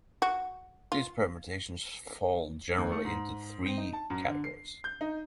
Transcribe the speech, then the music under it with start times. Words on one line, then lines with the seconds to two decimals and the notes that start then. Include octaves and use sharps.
These permutations fall generally into three categories.
0.22 F#4
0.92 F4
2.78 D#2
2.92 A3
3.05 G#2
3.66 C4
3.77 D#4
3.93 A5
4.10 F#2
4.28 D3
4.44 C7
4.84 G6
5.01 D#4